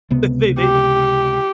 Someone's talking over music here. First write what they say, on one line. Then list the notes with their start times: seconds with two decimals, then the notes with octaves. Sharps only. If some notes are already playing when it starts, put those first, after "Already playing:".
they, they,
0.10 C#2 C3 B3
0.60 G4